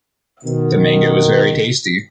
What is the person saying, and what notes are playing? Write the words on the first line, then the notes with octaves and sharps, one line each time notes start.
The mango was very tasty.
B2 D#3